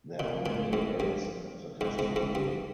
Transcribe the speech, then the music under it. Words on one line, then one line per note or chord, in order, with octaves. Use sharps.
There are many events at the festival.
A#2
A#2
G#2
G2
G#2
G#2
G#2
G2